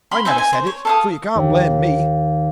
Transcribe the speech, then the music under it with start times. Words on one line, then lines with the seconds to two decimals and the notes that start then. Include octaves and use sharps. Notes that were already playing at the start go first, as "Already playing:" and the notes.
"I never said it--so you can't blame me."
0.11 F5 B5 C6
0.25 D#4 C5 E5 G#5
0.38 G#5
0.53 C5
0.67 C#5
0.85 A4 F5 D#6
1.35 D#2